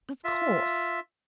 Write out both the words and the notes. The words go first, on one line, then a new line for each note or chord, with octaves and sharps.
"Of course."
F4 E5